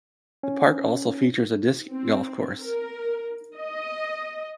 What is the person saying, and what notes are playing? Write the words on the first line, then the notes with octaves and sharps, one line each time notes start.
The park also features a disc golf course.
C#4
C4
A#4
D#5